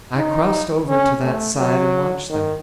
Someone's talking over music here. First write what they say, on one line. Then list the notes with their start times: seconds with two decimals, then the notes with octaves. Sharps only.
I crossed over to that side and watched them.
0.17 D#4
0.89 C#4
1.24 A3
1.59 F#3
2.30 D#3